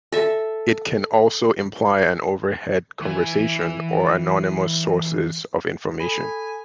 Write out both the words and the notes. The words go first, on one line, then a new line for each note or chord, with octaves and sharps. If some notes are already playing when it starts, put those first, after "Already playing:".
It can also imply an overheard conversation or anonymous sources of information.
A4 E5
E3 G#5
A4 G#5 B5